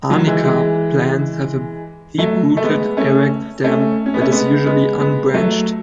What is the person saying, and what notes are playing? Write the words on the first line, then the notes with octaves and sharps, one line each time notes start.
"Arnica" plants have a deep-rooted, erect stem that is usually unbranched.
D#3 F#3
E3 G#3
E3 G#3
F#3 A3
A3
G#3 B3
A3 C#4
A3 C#4
C#4
B3
A3 C#4
G#3 B3
G#3 B3
G#3 B3
F#3 A3